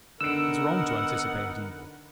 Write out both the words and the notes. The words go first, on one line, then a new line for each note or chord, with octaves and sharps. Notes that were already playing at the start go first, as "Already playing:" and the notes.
'It's wrong to anticipate evil.
D3 B3 D#4 A#4 F#5 E6 D7